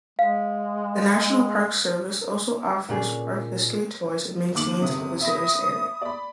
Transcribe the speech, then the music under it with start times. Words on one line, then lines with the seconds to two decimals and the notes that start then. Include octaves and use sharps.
The National Park Service also offers park history tours and maintains a visitors area.
0.19 G#3 F5
2.89 A#2 C#4 D4 G#4
4.55 D#2 D6 F#7
4.82 G1 C3 D#6
5.21 E5 B5 A#6
6.02 D5 B5